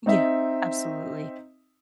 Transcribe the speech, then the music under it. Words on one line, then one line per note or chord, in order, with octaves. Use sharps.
Yeah. Absolutely.
C4 D#4 D#5 E5